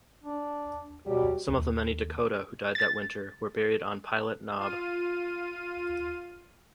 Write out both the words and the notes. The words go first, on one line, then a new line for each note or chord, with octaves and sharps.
Some of the many Dakota who died that winter were buried on Pilot Knob.
D4
B2 F#3 G3 G4
D#2 D#3
A6
F4 D#7